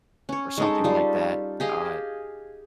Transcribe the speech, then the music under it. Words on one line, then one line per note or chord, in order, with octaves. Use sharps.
or something like that. Uh,
C#4 C#5
G#3 D#4 A4
G3 F4
G4 G#4 D#5 F5